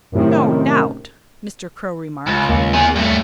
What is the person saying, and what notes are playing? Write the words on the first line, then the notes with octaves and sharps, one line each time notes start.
"No doubt!" Mr. Crow remarked.
F#2 A2 C3 D#3
C#2
D#2 A#3
B3 G#4
G2 A3